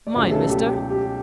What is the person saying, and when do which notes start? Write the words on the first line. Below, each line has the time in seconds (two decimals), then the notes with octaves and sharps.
"Mine, mister."
0.07 D5
0.15 C#2 B2 F#3 A3 C#4 E5
0.32 A4
0.49 G4
0.65 G4
0.90 G4